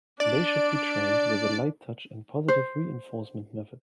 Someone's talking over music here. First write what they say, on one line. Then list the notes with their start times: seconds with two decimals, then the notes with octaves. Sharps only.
They should be trained with a light touch and positive reinforcement methods.
0.20 D4 D5
2.48 C5